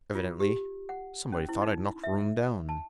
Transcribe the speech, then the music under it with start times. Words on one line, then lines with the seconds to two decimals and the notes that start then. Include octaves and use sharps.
Evidently somebody thought I'd knocked Rooum down.
0.15 F4
0.40 G4
0.89 F#5
1.32 C#4
1.49 E4
1.62 D#4
2.04 E5
2.69 A5